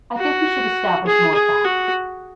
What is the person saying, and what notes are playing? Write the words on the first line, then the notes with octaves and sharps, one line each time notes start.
I think we should establish more facts.
F#4
G#4
G#4
F#4